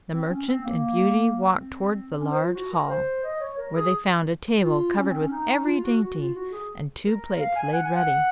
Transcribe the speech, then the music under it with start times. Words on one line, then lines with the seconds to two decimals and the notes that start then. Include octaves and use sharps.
The merchant and Beauty walked towards the large hall, where they found a table covered with every dainty, and two plates laid ready.
0.12 C4
0.29 C#4
0.47 C4
0.64 A#3
1.51 C4
2.20 C#4
2.31 C5
2.43 F4
2.54 F#4
2.71 A#4
2.88 C5
3.23 D#5
3.41 C#5
3.57 A#4
3.75 G#4
4.62 F4
4.96 C#4
5.08 C4
5.20 C#4
5.30 D#4
5.65 F4
5.82 F#4
6.00 F#4
6.18 F4
6.34 F#4
6.52 G#4
7.04 A#4
7.39 F5
7.56 G#5
7.73 F#5
7.84 G#5
7.96 F#5